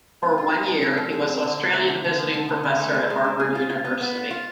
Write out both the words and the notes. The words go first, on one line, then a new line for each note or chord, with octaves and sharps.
For one year, he was Australian Visiting Professor at Harvard University.
F4
F4
F4
F3
C4
F3
G#4
C4
D3
D3
A3
D3
D3
F3
D3
D3
D3
A3
G#4
G#3
D4
G#4
F4
F4
B3
B3
F4
F4